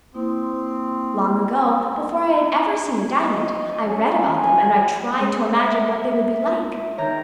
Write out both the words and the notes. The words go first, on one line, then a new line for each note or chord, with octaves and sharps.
Long ago, before I had ever seen a diamond, I read about them and I tried to imagine what they would be like.
A#3 C4 E4 D#6
D#5
C#4
G#5
G#3
E5
D#3 C#5 A#5 G6